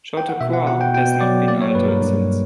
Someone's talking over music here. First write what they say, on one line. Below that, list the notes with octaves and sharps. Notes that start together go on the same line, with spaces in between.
Chautauqua has not been altered since.
G5
F#5
B2 E5
F#5
B2 F#5
G5
B2 G5
F#3 D5
A#3 D5
C#5
G2 B4
A#4
G2